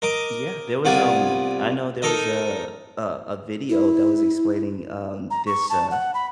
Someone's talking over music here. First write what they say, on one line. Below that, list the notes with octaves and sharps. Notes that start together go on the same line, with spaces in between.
Yeah, there was, um, I know there was a a a video that was explaining, um, this, uh
A#4 D#5 D6
C2 B3 F4 D5 G#5
D#4 A4 A#4 D#5
E4
A#5
C#6
A5
F#5
B5